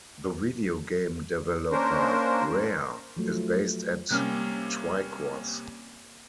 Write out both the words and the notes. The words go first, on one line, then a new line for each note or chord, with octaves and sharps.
The video game developer Rare is based at Twycross.
A#3 C#4 D4 A#4 C5
F3 F#3 A3
C3 G3 A#3 C#4